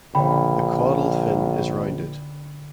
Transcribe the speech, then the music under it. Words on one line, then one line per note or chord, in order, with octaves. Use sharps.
The caudal fin is rounded.
A#1 D3 G5 B5